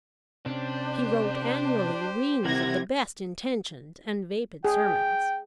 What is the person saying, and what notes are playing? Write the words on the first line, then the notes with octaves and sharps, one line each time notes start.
He wrote annually reams of the best-intentioned and vapid sermons.
C3 C#4 D4 G4 C5
C3 G3 E4 A#4 F#5 G#6 A#6
G#4 G5